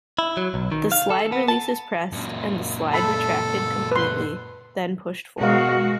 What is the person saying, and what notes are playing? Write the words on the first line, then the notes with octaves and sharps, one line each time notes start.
The slide release is pressed and the slide retracted completely then pushed forward.
E4
F#3
B1
D#3
F5
A4
B3
A5
F#2 A#2
A4 A5 B5
B4 C6
B2 G#3 F#4 A#4 F5